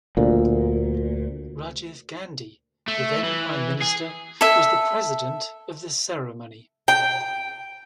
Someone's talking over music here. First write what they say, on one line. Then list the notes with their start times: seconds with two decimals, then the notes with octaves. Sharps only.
Rajiv Gandhi, the then prime minister was the president of the ceremony.
0.17 D2 A#2
2.88 A3
3.23 E3
3.81 G#4
4.41 A4 E5
6.88 G5